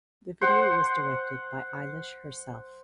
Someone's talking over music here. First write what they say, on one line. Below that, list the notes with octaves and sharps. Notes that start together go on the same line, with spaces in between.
The video was directed by Eilish herself.
C5 F#5